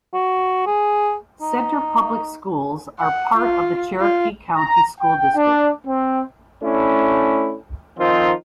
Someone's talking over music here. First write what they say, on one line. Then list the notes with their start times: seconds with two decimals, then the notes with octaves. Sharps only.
Centre Public Schools are part of the Cherokee County School District.
0.14 F#4
0.67 G#4
1.41 D#4
3.00 F#5
3.37 F4
4.00 F4
4.55 A#5
5.00 G5
5.36 D4
5.87 C4
6.63 A3 C#4 D4 E4
7.98 D#3 F3 C4 D#4 F4